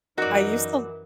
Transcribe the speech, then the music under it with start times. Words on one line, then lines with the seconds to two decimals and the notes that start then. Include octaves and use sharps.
I used to l
0.18 F#2 E3 D#4 F#4 A#4 D5